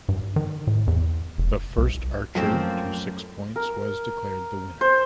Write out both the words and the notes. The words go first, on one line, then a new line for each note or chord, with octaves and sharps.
The first archer to six points was declared the winner.
G2
D#3
A2
E2
F1
C2
F#2 F3 A3 A#3 C4
A#4
C5